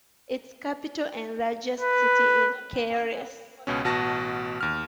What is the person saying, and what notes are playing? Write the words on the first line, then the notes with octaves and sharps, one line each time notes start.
Its capital and largest city is Kielce.
B4
C#2 B2 C#4
A1 B2 F#4 A5 A#6
D#2 F6